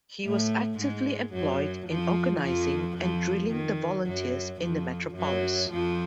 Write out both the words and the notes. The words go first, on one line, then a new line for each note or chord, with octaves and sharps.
He was actively employed in organising and drilling the Volunteers in the metropolis.
A2 A3
G#2 G#3
F#2 F#3
F2 F3
F2 F3
F2 F3
D#3
F#2 F#3
F2 F3
F#2 F#3
F2 F3